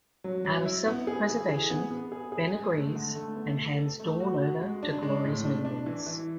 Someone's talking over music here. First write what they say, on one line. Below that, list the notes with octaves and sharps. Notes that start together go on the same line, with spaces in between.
Out of self-preservation, Ben agrees, and hands Dawn over to Glory's minions.
F#3
F#3
E4
B3
G#4
E3
G#4
B3
B3
G#4
G#4
G#3
A3
D3
A3
B3
A4
A4
A3
F#4
F#4
G#3
D4
G#3
A2
D4
D4
E3
E3